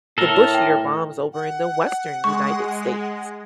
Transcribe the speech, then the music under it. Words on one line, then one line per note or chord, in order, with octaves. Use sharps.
the bushier palms over in the Western United States.
A2 A4 A#4
G5
F#5
G#3 C#6